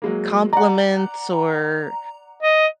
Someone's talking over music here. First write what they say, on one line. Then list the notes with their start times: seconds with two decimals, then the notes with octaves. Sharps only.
compliments or
0.02 F#3 G#3 A#3
0.53 D5 F#5 A#5
2.43 D#5